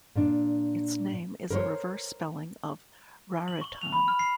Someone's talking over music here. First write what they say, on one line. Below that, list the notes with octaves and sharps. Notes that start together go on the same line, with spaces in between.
Its name is a reverse spelling of "Raritan".
A#2 D4
A#4 C5 C#5
F#7
C#6
F7
B5
F6
C7